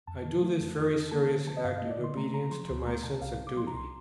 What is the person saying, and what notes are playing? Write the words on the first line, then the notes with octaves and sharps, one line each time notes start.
I do this very serious act in obedience to my sense of duty.
F2 A5
D#3
A3
F2
F2
D#3
A#3 A5
D3 A5
F3 A5
D#5
G2 F5
A#3 D#5
D5
D3 C6
A3 A#5
C3 A#5
F3 C6
D2 C6
A3 A#5
C3 A5
C2 F5
C3
D6
F3 C6
A#5
C2 C6